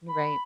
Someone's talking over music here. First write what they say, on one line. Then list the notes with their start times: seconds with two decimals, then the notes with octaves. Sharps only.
N right.
0.09 B5